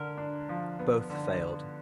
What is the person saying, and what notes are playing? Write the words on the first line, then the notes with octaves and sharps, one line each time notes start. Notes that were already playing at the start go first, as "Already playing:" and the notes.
Both failed.
Already playing: D3 A#4
D4
F3
B3
D3